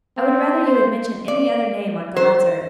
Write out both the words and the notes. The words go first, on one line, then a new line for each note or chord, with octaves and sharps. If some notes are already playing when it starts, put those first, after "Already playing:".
'I would rather you had mentioned any other name on God's earth.
C4
C5
D5
C5